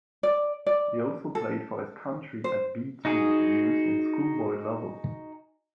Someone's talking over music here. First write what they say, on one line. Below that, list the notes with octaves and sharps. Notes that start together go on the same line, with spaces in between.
He also played for his country at 'B' team, youth and schoolboy level.
D5
D5
A4
C5
D#4 F#4 G#4